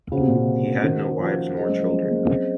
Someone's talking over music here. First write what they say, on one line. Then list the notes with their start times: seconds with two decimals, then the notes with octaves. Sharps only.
He had no wives nor children.
0.12 C#3 C#4 F#4 C5 F#5
0.20 C3
0.27 A#2
0.35 C3
0.84 D#3
1.20 F3
1.57 F#3 C#4 G#4 C5 D#5
1.69 G#3
1.80 F3
1.93 G#3
2.11 A#3
2.25 A#3
2.29 C4